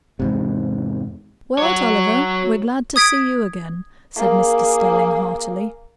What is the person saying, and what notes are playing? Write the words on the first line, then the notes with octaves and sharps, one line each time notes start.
"Well, Tulliver, we're glad to see you again," said Mr. Stelling, heartily.
E2 G#2 C3
F#4 C#5
D#6 G#6 B6 D7
A#3 G#4